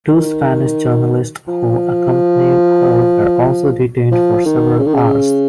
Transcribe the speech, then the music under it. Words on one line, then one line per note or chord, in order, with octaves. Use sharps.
Two Spanish journalists who had accompanied her were also detained for several hours.
D#3
F3
F3
D#3
C#3
D#3
C#3